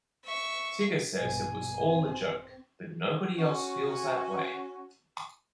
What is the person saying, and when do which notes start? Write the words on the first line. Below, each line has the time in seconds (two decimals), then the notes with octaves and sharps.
Tigger says it was all a joke, but nobody else feels that way.
0.24 E5 C#6
1.17 A#1 G2 B2 G#5
1.78 C4
3.37 C#4 F#4